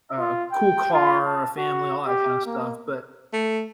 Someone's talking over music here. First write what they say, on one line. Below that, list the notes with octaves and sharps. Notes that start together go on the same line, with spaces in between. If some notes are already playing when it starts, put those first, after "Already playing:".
a cool car, a family, all that kind of stuff. But
F4
G5
F4
A5
F#4
G4
A#3
A3